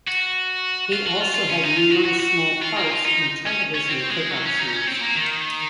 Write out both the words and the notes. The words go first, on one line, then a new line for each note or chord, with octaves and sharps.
He also had numerous small parts in television productions.
F#4
F4
F#4
F4
F4
C#4
D#4
F4
F#4
F#4
F#4
F4
A#3
F4
D#4
C#4
C#4
C4
G#3
F#3
C#4
D#4
C#4
C4
A#3
D#3